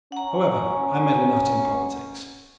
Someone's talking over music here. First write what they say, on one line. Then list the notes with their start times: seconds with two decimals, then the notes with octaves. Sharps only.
However, I meddle not in politics.
0.12 C#4 F#5 A#5